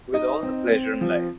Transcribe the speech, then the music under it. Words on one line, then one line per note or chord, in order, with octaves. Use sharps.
With all the pleasure in life.
D#4 D#5
C4
C4
F3